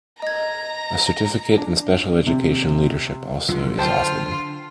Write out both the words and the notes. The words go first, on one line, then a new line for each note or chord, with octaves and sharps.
A certificate in Special Education Leadership also is offered.
D#5 A#5 G#6
D4
C3
D3 F#3 F4
D3 F4 C5 G5 A5 C6